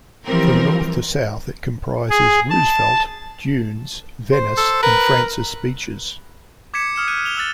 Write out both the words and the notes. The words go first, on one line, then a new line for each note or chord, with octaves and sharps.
From north to south it comprises Roosevelt, Dunes, Venice, and Francis Beaches.
E3 F3 G3 C4 A#4
G#4
A5
C5
A4
A#4 B4
D6 G#6 B6 C#7 E7
D#6 F6 E7
F#6 D#7
F7 G7
E6 F#6 A6